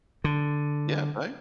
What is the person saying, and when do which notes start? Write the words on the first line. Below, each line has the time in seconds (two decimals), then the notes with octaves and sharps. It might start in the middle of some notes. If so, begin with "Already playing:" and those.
Yeah, right?
0.24 D3